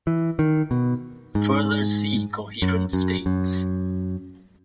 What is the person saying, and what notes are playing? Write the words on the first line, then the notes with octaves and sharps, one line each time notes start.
Further see coherent states.
E3
D#3
B2
G#2
F#2
F#2
F#2